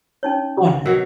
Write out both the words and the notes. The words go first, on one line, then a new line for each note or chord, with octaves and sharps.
Go on ahead.
C#4 D#4 C#5
B2 F#3 A#4